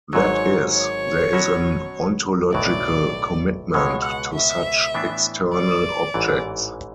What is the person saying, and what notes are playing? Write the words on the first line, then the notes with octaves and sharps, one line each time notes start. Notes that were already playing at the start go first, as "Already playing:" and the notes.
That is, there is an "ontological commitment" to such external objects.
G#1 G#2 F#3 C#5
C#5
B2 F#3 C#4 F#4
B1 A2 F#3 D5
C#2 B2 G#3 C#5
F#5
E5
A2 E3 B3 D4
D5
A1 G#2 E3